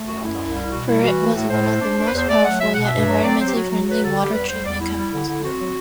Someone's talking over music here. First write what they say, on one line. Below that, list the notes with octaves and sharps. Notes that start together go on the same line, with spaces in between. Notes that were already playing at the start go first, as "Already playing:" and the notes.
Ferrate is one of the most powerful, yet environmentally friendly, water treatment chemicals known.
Already playing: A3
F#2 F#4
F#2 E4
C2
G3
B2 F#4
G3 E4
E3 F#4
A3
A2 F#4
A2 C5
A3
D4
D4
B4
E2 C5
A3 D5
F#3 F#5
B2 E5
B2 F#5
G2 E5
F#3
C4 D5
F#3 C5
G4
F#3 F#4
F#3
F#3 B4
D3 A4
G3 G4
E2 B4
G3 C5
E2 D5
G3 E4
G3
D3
D3
C4 F#4
F#3